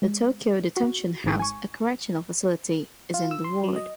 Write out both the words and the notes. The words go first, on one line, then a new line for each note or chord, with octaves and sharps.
The Tokyo Detention House, a correctional facility, is in the ward.
G#3
F#4
G#1 G#2
G#5 C#6
F4
E6
C6
F#3
D#5